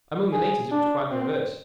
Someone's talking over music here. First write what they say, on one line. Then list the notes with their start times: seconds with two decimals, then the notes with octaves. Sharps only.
Among the natives it was quite the reverse.
0.32 G#4
0.71 D4
1.11 C4